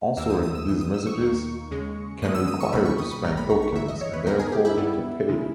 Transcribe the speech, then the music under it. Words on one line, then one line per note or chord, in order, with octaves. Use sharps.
Answering these messages can require to spend tokens, and therefore to pay.
D#2 D#3 A#3 E6
D#6
D#6
E6
G1 G2 E3 D#6
D#6
E6
C#6
D#2 D#3 A#3
D#2 C#3 G#3
G2 D#3 G#3 B3 D#6
E6
D#6
C#6
C#2 B2 G3 A#3 B5
C#6
D#6
B5
A#1 G#2 G3 B3 A#5
B5
C#6
C#6
G1 G2 E3 E5
D#5
C#5
B4
D#2 C#3 G3 B3 A#4
G#4
G4
E4
G2 G3 B3
C#3 G#3